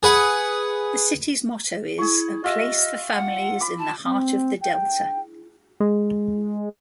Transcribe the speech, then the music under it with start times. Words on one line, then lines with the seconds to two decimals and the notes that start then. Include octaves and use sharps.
The city's motto is, A Place for Families in the Heart of the Delta.
0.03 G#4 B4 F#5
1.98 E4 G#4 C#6
2.44 F4 G4 D#5 E5
3.13 F#5
3.61 B5 D6
3.79 A5
4.05 C4
4.61 G5
5.80 G#3